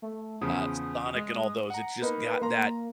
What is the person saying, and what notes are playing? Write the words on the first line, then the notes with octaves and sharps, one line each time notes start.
uh, Sonic and all those, it's just got that
A3
E2 C#3 F3 D#6
G#3
F#5 A#5
A#3 D#4 B4
A#3 A#5 C6